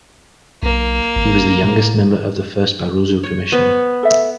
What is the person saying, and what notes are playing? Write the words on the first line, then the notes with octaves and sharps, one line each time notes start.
He was the youngest member of the first Barroso Commission.
B1 A#3
G#1
A2
C#5
B3 C5
A4 E5